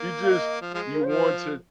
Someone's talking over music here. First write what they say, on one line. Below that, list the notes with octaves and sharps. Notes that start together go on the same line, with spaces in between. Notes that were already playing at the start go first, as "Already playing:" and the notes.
you just, you want to
Already playing: A#3
F5
D#5
F3
F3 G#3
A#4
F3 C5